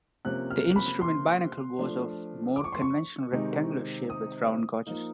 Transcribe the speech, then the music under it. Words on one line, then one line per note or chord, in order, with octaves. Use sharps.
The instrument binnacle was of a more conventional rectangular shape, with round gauges.
C3 F3 A#3 C#4 F#6
F6
B5
C6
F3 A3 D4
D6
C#6
C6
C#6
C3 D#3 G#3 C4 D#4
D#6
F3 A#3 D#4